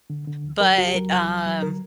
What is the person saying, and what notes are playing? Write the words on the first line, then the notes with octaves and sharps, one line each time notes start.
but, um,
D3
D3
D2
F#3 A#4
C#2 F#4
G4
F#3 A#4
C#2
F#3
F#3
D3 A#4